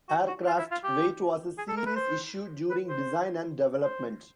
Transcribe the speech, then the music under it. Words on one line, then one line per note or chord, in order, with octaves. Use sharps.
Aircraft weight was a serious issue during design and development.
F#4
F#4
F4
E4
F4
G4
G#4
A4
A#4
B4
C5
B4
C5
C5